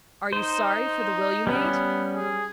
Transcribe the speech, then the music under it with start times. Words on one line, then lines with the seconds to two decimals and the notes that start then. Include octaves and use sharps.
"Are you sorry for the will you made?"
0.33 D#4 C5
1.47 G3 B3 C#4
2.15 G#4